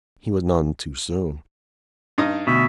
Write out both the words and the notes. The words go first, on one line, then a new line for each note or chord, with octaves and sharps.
He was none too soon.
G2 D#4 D#6
D2 B2 E5